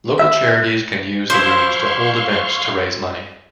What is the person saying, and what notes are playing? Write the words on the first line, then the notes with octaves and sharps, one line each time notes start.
Local charities can use the rooms to hold events to raise money.
E5
F3 E4 C5 F5 C6 C#6